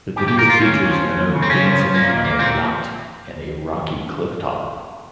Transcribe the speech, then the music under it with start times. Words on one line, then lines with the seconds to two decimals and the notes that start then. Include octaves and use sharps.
The video features Minogue dancing on a yacht and a rocky cliff top.
0.16 D#2 G4
0.28 G4
0.31 D#2
0.39 A#4
0.46 D#2 F4
0.62 D#2 C#4
0.76 D#2
0.91 F3
1.06 D#2
1.20 D#2
1.35 C#3
1.42 C4
1.50 C#3 C#4
1.64 F3
1.80 F3
1.94 A#3
2.09 A#2
2.24 A#3
2.39 A#2 C4